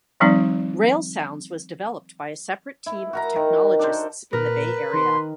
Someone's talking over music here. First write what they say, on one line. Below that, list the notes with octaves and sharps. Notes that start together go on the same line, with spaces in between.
RailSounds was developed by a separate team of technologists in the Bay Area.
D#3 F3 G3 C4 D#4 D5
E4
F#4 A#4 A#5
D#3
D4 A4 A#4 C5
A#2 A#4 B4
D#3 C6